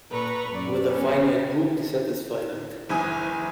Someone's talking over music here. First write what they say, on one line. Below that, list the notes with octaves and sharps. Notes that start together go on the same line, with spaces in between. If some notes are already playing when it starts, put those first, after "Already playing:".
With a finite group, the set is finite.
A#2 A4 B4 A#5 C#6
F#2 D5
B3 C#4
F#1 E3 G#5 D#6